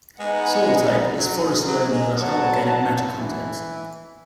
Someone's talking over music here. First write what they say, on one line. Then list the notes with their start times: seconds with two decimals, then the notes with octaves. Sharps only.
Soil type is forest loam with a high organic matter content.
0.20 G#3 B3 D#4 G#4 B4 F#5
1.18 F#3
1.67 F#3
1.91 G#3
2.16 F#3 B3 F#4 C#5 F#5 A5
3.15 E3